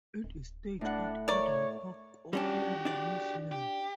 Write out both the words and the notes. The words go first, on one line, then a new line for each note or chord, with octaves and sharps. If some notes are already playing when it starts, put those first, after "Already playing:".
It is staged at Eden Park, Auckland, New Zealand.
D1
A2 D4 F#5
A#4 C#5 D5
G3 C#4 D4 F#4 G4
D4 D5
G4